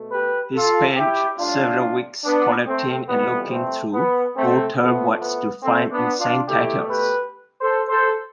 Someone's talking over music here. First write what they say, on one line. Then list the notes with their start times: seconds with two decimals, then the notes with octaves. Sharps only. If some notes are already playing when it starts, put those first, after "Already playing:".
He spent several weeks collecting and looking through old tabloids to find inane titles.
Already playing: B2 A3
0.12 G4 B4
0.54 F4 A4
0.97 E4 G4
1.39 A2 G3 D4 F4
2.24 B3 D4
2.66 A3 C4
3.08 F2 C3 E3 G3 B3
3.51 A3 C4
3.94 B3
4.36 A3 C4
4.78 A2 F3 A3 B3
5.20 B3
5.63 A3 C4
5.91 B3 D4
6.19 D4 F4
6.47 B2 A3 E4 G4
6.90 G4 B4
7.61 A4 C5
7.89 A4 C5